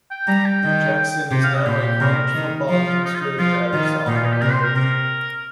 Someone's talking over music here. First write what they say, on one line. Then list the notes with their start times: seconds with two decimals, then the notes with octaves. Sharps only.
Jackson is now a college football administrator at his alma mater.
0.11 G5
0.27 G3 A#5
0.45 G5
0.63 D#3
1.31 C3 G5
1.43 F5
1.54 D#5
1.66 A#2 G4
1.83 G4
2.00 C3 A#4
2.34 D#3
2.69 F3
2.87 F4
3.04 D#4
3.15 F4
3.21 D#4
3.38 F3 F4
3.73 D#3
4.07 A#2 D#4
4.16 F4
4.24 D#4
4.32 G4
4.41 C3 A#4
4.52 C5
4.64 A#4
4.76 C3 A#4